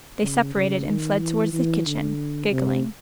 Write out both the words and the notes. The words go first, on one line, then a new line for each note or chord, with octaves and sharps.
They separated and fled toward the kitchen, giggling.
C#3
C#3
D#3
E3
E3
D3
C3